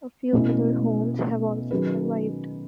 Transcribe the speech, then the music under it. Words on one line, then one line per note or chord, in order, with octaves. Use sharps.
A few other homes have also survived.
B2 A3 C#4 E4
D#3 F#3 C#4 G#4 B4